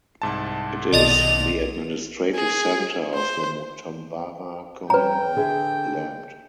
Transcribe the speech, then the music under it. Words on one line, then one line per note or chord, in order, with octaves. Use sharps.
It is the administrative centre of the Mutambara communal land.
C2 G#2 A5
B1 D#3 D5 D#5 A6 F7
G#4
C5
G3 C#4 B4 G5 A#5
D3 G#4 E5